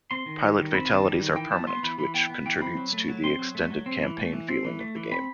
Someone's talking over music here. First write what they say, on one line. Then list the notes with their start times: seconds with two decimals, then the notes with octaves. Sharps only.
Pilot fatalities are permanent, which contributes to the extended campaign feeling of the game.
0.11 C4 C6
0.26 D#3
0.42 G3
0.58 D#3
0.73 C4 B5
0.89 D#3
0.94 A5
1.04 G3
1.21 D#3
1.36 E3 G5
1.51 B3 A5
1.67 B3 C6
1.83 E3 B5
1.99 E3 B5
2.14 B3 G5
2.30 B3
2.46 E3 G5
2.61 C4 B5
2.77 F#3
2.93 A3
3.08 F#3
3.24 C4 C6
3.39 F#3
3.55 A3
3.71 F#3
3.86 C4
4.02 E3
4.18 A3
4.33 E3
4.48 C4
4.65 E3
4.80 A3
4.96 E3
5.11 C4 B5